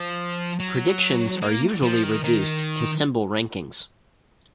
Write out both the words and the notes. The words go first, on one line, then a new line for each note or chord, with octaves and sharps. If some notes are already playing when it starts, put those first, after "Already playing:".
Predictions are usually reduced to symbol rankings.
Already playing: F3
F#3
A#3
F3
D#3
D#3